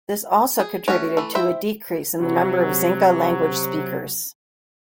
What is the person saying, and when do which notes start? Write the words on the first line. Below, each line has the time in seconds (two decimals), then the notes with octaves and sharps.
This also contributed to a decrease in the number of Xinca-language speakers.
0.59 G#4
0.88 A3 C#4 F#4 C#5
1.17 E3 A3
1.35 E4 C5 E5 G5
2.19 C3 F#3